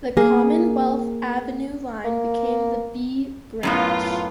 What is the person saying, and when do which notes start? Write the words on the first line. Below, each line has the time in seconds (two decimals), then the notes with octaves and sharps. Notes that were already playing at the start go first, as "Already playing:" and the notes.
The Commonwealth Avenue Line became the "B" Branch.
0.17 A#3 G#4
2.05 A#3
3.63 F#2 A2 B3 F4